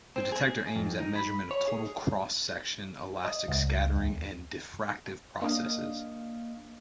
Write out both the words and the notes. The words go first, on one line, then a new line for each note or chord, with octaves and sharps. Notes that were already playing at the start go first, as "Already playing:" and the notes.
The detector aims at measurement of total cross section, elastic scattering, and diffractive processes.
C4
G#4
F2
D#4
B5
C#5
G#4
D#5
C#2
D#2
A#3 D4 D#5 F5